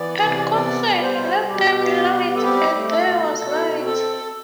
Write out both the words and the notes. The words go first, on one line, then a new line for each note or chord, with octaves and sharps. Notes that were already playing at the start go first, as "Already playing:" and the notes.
And God said, Let there be light: and there was light.
Already playing: E3 B3 D5
C3
B3 D5
G3
C5
B2
B2 G4
B3
G3
A4
C4 G4
A3
A4
B2
B2 A4
C4
A4